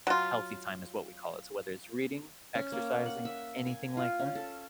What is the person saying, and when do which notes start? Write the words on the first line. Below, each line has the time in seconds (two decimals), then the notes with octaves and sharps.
"healthy time," is what we call it. So, whether it's reading, exercising, anything like that,
0.07 F#3 F4
2.55 C#4
2.72 A#3
3.06 F#5
3.25 E5
3.67 G#5
3.97 F4
4.19 C#4
4.35 A4